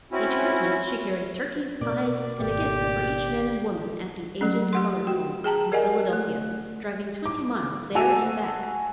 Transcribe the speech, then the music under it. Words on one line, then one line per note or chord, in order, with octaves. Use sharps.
Each Christmas she carried turkeys, pies, and a gift for each man and woman at the "Aged Colored Home," in Philadelphia, driving twenty miles, there and back.
C4 C#4 E4 F#4
B2 A#3 D5
G#1 C#3 G4
F#3 A3 C#4
G4 F#5 C6
F#4 G5
G#4 G5 A5 A#5
G4 A#4 D5 D#5 F#5 G#5
A3
D6
F#4 G#5 A5 E6 D#7 F7